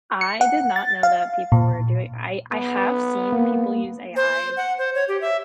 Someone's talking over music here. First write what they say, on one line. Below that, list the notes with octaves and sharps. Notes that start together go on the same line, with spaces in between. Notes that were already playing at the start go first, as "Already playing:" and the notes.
I did not know that people were doing I I have seen people use AI,
C#7
F#5
A6
F5
A#2
B3
A#3
C5
F#5
C5
C#5
G4
E5